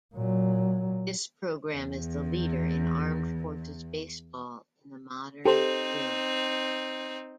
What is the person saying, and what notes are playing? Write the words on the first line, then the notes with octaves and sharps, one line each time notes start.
This program is the leader in armed forces baseball in the modern era.
A#2 F#3
E2 E3
C4 D#4 G4 A4 C5